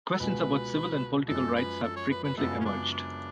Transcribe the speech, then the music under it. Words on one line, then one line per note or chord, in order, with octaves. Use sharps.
Questions about civil and political rights have frequently emerged.
A4
C#2 B2 G#3 B3 B4
F#2 F3 G#3 A4
B4
A4
C#5
B4
B4
F#2 C#3 G#3 B3 F4 A4
C#4
D4
D4